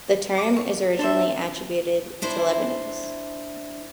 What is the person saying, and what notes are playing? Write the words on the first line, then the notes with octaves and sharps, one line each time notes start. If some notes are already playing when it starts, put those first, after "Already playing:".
The term is originally attributed to Leibniz.
D6
C#6
D4 A4 C5 E5
D4 E4 C5